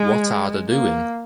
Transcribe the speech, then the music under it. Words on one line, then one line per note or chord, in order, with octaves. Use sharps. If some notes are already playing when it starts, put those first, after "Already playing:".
What are the doing?
Already playing: G#3
A#3